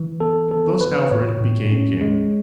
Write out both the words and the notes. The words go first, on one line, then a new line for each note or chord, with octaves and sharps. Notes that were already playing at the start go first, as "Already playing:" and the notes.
Thus Alfred became king.
Already playing: E3
B3 A4
B3 A4
E3 B4
A2 C#5
A2
C#4
G#3